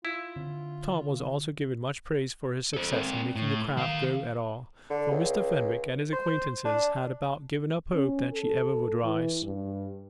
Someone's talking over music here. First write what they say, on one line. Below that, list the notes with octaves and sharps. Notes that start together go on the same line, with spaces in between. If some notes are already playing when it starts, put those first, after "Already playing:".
Tom was also given much praise for his success in making the craft go at all, for Mr. Fenwick and his acquaintances had about given up hope that she ever would rise.
E4 F4
D3 C4
A4 C5
C4 A#4
A2
D#3 F5
D3
C#2
C5
D4
C#4
A4
E3
G2